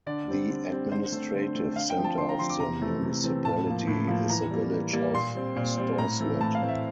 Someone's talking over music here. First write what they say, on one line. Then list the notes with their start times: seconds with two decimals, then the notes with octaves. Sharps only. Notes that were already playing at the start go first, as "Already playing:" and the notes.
The administrative centre of the municipality is the village of Storslett.
0.06 D3 D5
0.28 G3 C4
0.49 D3
0.70 G3 C4
0.91 D3 C5
1.12 A3 C4
1.34 D3
1.55 A3 C4
1.76 D3 F5
1.90 G5
1.97 F3 C4
2.04 A5
2.18 D3 C6
2.29 A#5
2.39 F3 C4 C6
2.50 D6
2.60 C3 A#5
2.82 E3 A3 C4
3.02 C3
3.24 E3 A3 C4
3.44 A2 A5
3.67 F3 A#3
3.87 A2
4.08 F3 A#3
4.30 E3 A#5
4.51 G3 A#3
4.72 E3
4.93 G3 A#3
5.14 A#2 C6
5.35 G3 C4
5.56 A#2
5.77 G3 C4
5.98 A2 A#5
6.20 E3 A3 C4
6.41 A2 A5
6.55 F5
6.62 E3 A3 C4
6.68 E5